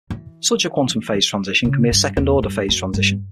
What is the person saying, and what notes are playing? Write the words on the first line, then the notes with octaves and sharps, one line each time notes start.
Such a quantum phase transition can be a second-order phase transition.
E3
C#3
G2
E2
G2
F#2
G2